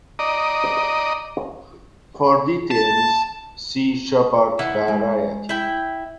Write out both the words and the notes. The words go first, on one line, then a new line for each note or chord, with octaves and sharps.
For details see Schubert variety.
D5 D#5 A#5
A5
E3 E5 F#5
G#3
E4 G5